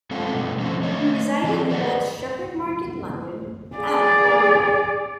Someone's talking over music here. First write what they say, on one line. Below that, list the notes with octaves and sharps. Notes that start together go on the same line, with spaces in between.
He resided in both Shepherd Market, London and Cornwall.
G#3 C4 C#4 F4 A4 F#5
B2 G3 A3
D3 F3 C4 C#4 A4
A3 C#5 D#5
D#3 F3 C4
G#4 C5 D5 D#5 F#5
G#4 D5